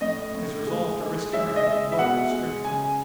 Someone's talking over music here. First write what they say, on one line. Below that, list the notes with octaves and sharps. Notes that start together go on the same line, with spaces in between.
His resolve to risk everything and go was strengthened.
A2 D#5
A2
G#3
G#3
G#3 E5
D#5
G#3 E5
E5
B2 F#5
G#3
C#3 G#5